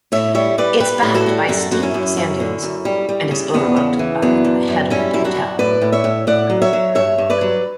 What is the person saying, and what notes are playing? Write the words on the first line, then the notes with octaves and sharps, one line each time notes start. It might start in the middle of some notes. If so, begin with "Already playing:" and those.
It is backed by steep sand dunes and is overlooked by the "Headland Hotel".
A2 C#5 E5
G3 C#5 E5
G3 B4 D5
G3 G4 B4
A2
F#4 A4
G3
F#2 F#4 A4
F#2 F#4
C#4 E4
F#2
F#2
D3
F#2
G3
G3
C#3
E2 B3 D4
C#3
E3
F#2 B3 D4
F#2
F#2
G3 C#4 E4
F#2 E4
D4 F#4
F#2
A2 B4 D5
A2
C#5 E5
A2
A2 D5 F#5
F#3
C#5 E5
F#3
G2 C#5 E5
G2
B4 D5
F#3